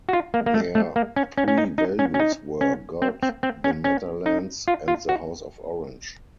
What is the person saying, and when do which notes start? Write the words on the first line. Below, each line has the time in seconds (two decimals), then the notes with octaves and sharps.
Their three values were "God, the Netherlands, and the House of Orange".
0.09 F#4
0.13 F4
0.34 A#3
0.46 A#3
0.54 A3
0.75 A3
0.96 A#3
1.16 C#4
1.38 C#4
1.48 C#4
1.58 D#4
1.78 D#4
1.99 C#4
2.14 C#4
2.20 D#4
2.61 C#4
3.02 C4
3.23 C4
3.43 C4
3.64 C#4
3.84 C#4
4.26 D#4
4.68 F4
4.88 F4
5.09 F#4